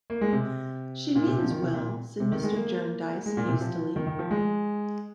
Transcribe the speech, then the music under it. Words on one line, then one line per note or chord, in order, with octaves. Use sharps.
"She means well," said Mr. Jarndyce hastily.
A#3
G#3
C3
A#2
C3
F3
D#3
C3
A#2
C3
D#3
G#3
A#3
G#3
A#2
C3
F3
D#3
D#3
F3
G#3